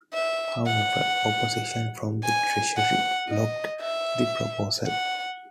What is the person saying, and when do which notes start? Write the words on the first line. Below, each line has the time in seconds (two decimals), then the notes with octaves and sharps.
However, opposition from the Treasury blocked the proposal.
0.14 E5
0.66 F#5
2.24 G#5
2.77 F#5
3.28 D#5
3.81 E5
4.86 F#5